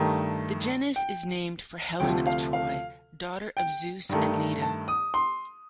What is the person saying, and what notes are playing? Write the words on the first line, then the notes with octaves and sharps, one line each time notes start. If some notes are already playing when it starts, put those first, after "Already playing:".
The genus is named for Helen of Troy, daughter of Zeus and Leda.
Already playing: G2 D#3 A3
G5
D2 C3 F3 A3 G5
F5
F5
G5
G2 D#3 A3
A5
D#6
C6